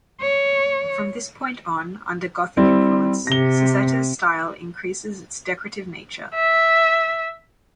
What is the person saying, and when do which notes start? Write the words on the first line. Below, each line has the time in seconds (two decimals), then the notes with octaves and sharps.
From this point on, under Gothic influence, Sassetta's style increases its decorative nature.
0.21 C#5
2.57 G3 C4 E4
3.27 C3 A#6 G7
6.34 E5